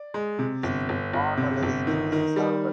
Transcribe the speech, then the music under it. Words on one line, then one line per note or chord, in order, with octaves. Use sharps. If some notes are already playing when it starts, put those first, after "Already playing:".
This is not always the case, however.
Already playing: D5
G#3
C3
G1
G1
G1
C3
G1
D#3
D#3
G3